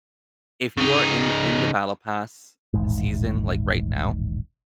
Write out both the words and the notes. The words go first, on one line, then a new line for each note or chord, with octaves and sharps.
If you are in th in the BattlePass season, like, right now,
C#3 D#4
D#1 A1 G#2